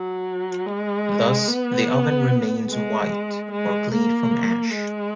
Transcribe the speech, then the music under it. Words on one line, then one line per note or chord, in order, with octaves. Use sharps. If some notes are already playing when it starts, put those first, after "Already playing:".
Thus, the oven remains "white", or clean from ash.
Already playing: F#3
G#3
B3
G#3
G#3
A#3
G#3